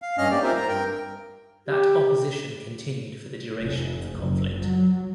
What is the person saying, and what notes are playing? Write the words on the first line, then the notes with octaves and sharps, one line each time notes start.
That opposition continued for the duration of the conflict.
F5
G2 C#4 D#5 F6
A#3 G4 D5
C4 D#4 F4 A#4 C5 E5
A#5
G2 A#4 G5
G4
F1
F#1
F#3